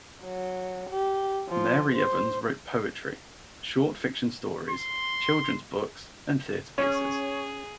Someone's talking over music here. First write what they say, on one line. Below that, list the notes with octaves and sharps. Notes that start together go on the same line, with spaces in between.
Mari Evans wrote poetry, short fiction stories, children's books, and theater pieces.
F#3
G4
F3
C5
C6
C#4 G#4 C#5